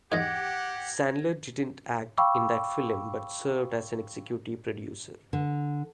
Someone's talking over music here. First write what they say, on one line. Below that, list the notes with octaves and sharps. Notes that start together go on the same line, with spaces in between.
Sandler didn't act in that film but served as an executive producer.
E2 G#2 G4 F#5 G#6 A#6
F5 G5 B5 C#6 D6 E6
D3